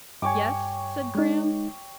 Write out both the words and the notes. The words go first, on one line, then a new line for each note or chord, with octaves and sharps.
"Yes?" said Graham.
G2 C#5 G5 G#5 D6
G#3 D#4